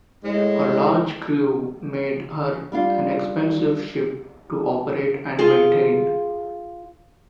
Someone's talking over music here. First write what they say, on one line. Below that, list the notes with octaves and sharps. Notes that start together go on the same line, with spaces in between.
Her large crew made her an expensive ship to operate and maintain.
A2 G#3
G3 D4 F4
F4 G#4